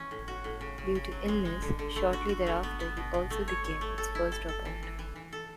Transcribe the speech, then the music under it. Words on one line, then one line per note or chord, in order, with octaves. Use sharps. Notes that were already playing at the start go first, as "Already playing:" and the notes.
Due to illness shortly thereafter, he also became its first dropout.
Already playing: E3 C#4
A2
F#4
A2
C#3
C#3
C#3
F#3
G#3
G#3
D3
D3
A3
F#4
F#4
A3
B3
B3
B2
B2
A3
C#5
C#5
A3
A4
E4
A4
A4
E3
E3
E3
E3
A4